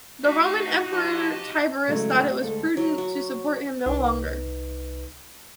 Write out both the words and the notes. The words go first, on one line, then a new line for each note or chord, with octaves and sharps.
The Roman emperor Tiberius thought it was prudent to support him no longer.
A3 D#4 F#4 E5 F5
F3 G4 D#5 A5
C#3 E3 F#3 G#3 A3
D#3 G3 F4
D2 G#3 A4
F#3
F#4
C2 D#4 B4